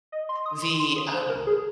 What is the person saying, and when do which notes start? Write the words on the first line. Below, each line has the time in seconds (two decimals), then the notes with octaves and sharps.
the, um,
0.12 D#5
0.29 C6
0.46 D#6
0.62 C6
0.80 C6
0.96 D#6
1.14 C5
1.29 A#4
1.47 G#4